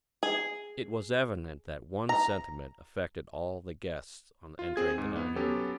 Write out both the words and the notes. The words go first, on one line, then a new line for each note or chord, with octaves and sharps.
It was evident that one sentiment affected all the guests on entering the dining-room.
G#4
A#5
F4
C4 G#4 G#6
G#2
B3
F#3 B3 C#4 G4 A4